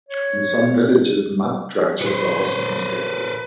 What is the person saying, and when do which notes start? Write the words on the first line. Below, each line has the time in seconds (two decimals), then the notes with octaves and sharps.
In some villages mud structures are also constructed.
0.08 C#5
2.02 B4 C5